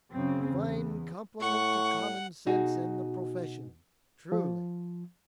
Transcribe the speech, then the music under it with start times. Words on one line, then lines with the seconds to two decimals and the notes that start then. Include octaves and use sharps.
A fine compliment to common sense and the profession, truly!
0.13 F#2 C#3 C4
0.51 E2
1.41 A2 F#5 C#6
2.46 B2 D#4 F#4 G#4
4.32 F3